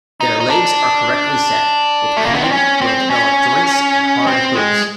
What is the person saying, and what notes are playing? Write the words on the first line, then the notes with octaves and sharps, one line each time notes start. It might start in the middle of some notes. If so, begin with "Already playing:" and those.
Their legs are correctly set, with clean, well-developed joints and hard hooves.
D#4
D#4
D4
A3
A#3
B3
C4
C#4
C4
C#4
C4
G#3